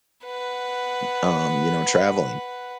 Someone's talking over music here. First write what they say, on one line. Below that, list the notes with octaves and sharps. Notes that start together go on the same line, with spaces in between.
y um, you know, traveling.
B4 F#5